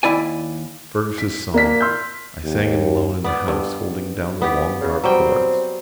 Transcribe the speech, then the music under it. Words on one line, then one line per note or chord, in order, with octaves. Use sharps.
Fergus' song: I sang it alone in the house, holding down the long dark chords.
D#2 D#3 E4 D5 G#5
B6
A#3 D5 B6
C6 E6 F6 G6
D#2
B3 D5
G2
B3 G4
C#3
F#3 G3 C4 G5